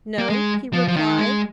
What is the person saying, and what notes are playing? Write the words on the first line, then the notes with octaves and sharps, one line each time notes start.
"No," he replied.
A#3
G#3
F3
F3
D#3
G#3